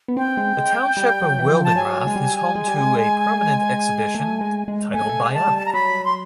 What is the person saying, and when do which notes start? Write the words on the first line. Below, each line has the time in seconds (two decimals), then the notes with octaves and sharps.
The township of Wildenrath is home to a permanent exhibition, titled "Bionic".
0.08 B3
0.17 C4 G5
0.37 G#3
0.57 G#3
0.97 G3
1.22 F#3
1.39 E3
1.49 F3
1.64 A5
1.76 F#3 G#5
2.07 G#3
2.16 G3
2.55 G#3
2.68 G3
2.80 G#3
4.15 A3
4.41 G#3
4.68 G#3
4.93 A3 G#5
5.02 G#3
5.09 A3
5.20 G#3
5.34 A5
5.48 G3
5.58 A5
5.66 A#5
5.73 F#3 B5
6.05 C6